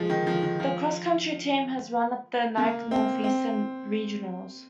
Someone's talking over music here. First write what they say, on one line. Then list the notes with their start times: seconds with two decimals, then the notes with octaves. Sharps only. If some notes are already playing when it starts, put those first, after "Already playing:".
The Cross Country team has run at the Nike Northeastern Regionals.
Already playing: F3 G#3
0.10 D#3
0.27 F3
0.42 D#3
0.60 F3
2.57 A#3
2.91 C4
3.24 C4